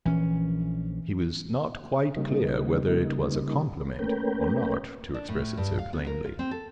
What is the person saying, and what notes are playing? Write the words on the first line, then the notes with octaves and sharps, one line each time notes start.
He was not quite clear whether it was a compliment or not, to express it so plainly.
A#1 E3 C#4
C#3 G3 A#3 D#4
A3 A#3 C#4 A#4 B4 G5
D4
A2
G2
F5
B3
A#4
F4
C4
A4